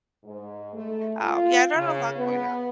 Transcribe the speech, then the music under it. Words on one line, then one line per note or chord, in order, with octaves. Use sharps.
um, yeah, I've got a lot going on.
G#2
A3
F4
C#3
B3